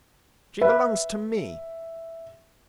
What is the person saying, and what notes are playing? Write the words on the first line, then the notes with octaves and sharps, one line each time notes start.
She belongs to me.
B4 E5